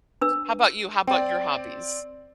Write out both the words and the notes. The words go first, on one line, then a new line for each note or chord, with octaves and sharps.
How 'bout you? How 'bout your hobbies?
D4 B4 E6
C4 D5 G5